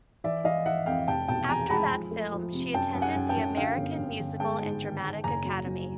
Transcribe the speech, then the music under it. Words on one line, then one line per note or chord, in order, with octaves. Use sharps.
After that film she attended The American Musical and Dramatic Academy.
E3 D5 E5
E3 D#5 F5
E3 E5 F#5
F2 F5 G5
F1 G5 A5
B2 G5 A5
E2 G#5 A#5
G#3 A5 B5
F3
A3
F3
C3
F#2 G5 A5
F#2
F#5 G#5
F#2
G5 A5
F#2
D3 F5 G5
G1
G1
G1
G#3 G5 A5
G#2
D#3
G#2
F#1 G#5 A#5
F#3
F#3